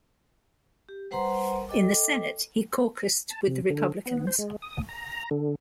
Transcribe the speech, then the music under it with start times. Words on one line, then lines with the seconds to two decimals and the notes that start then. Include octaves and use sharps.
In the Senate, he caucused with the Republicans.
0.89 G4
1.11 G3 B4 C5 F#5 A#5 C6
1.69 A4 D#5 G5 D6
3.30 A5
3.48 C3
3.70 D3
4.06 B3
4.27 C5
4.38 G#3
4.62 D#6
4.89 A#5
5.31 D3